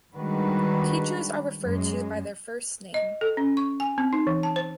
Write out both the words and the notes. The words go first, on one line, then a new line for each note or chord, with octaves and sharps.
Teachers are referred to by their first name.
D#3 G3 G#3 D4 F#4 B4
F#2 G#3
D#5
A4
C#4
C#6
G#5
C4
D#4
E3
A5
C5